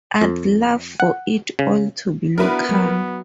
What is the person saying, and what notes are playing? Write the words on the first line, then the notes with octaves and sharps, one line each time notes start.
I'd love for it all to be local.
F2
F#5
C#3
B3 D4 E4 F#4 A#4 B4
F#3